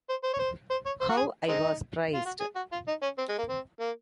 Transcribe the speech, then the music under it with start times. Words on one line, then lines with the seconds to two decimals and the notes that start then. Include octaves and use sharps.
How I was praised!
0.09 C5
0.24 C5
0.33 C#5
0.39 C5
0.70 C5
0.86 C#5
1.01 C5
1.09 F#4
1.17 G#4
1.48 G#3 C4 D#4
2.14 F4
2.25 F#4
2.40 G#4
2.55 F#4
2.72 F4
2.88 D#4
3.02 C#4
3.18 C4
3.29 G#3
3.38 A#3
3.49 C4
3.80 A#3